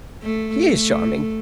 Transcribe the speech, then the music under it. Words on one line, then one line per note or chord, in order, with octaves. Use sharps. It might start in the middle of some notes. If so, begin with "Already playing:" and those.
She is charming.
A3
A3